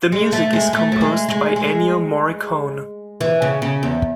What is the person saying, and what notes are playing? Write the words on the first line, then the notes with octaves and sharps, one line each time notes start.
The music is composed by Ennio Morricone.
G#3
A3
G#3
A3
F#3
G#3
G#3
G#3
E3
C#3
C#3
E2